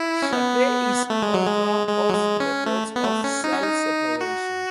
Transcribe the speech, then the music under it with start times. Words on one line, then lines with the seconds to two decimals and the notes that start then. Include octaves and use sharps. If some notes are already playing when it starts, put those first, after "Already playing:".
Sharpe is author of "Methods of Cell Separation".
Already playing: E4
0.22 C#4
0.33 B3
1.10 A3
1.23 G#3
1.34 F#3
1.46 G#3
1.87 G#3
2.09 F#3
2.14 G#3
2.40 C#4
2.66 A3
2.96 B3
3.04 A3
3.24 C#4
3.44 D#4
3.53 C#4
3.63 D#4
4.21 F#4